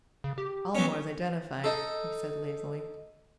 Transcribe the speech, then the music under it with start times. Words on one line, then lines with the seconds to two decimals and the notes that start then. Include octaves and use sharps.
"Aylmore's identified," he said lazily.
0.24 C#3
0.38 G4
0.75 F#3 B3 C#4
1.64 D#4 A4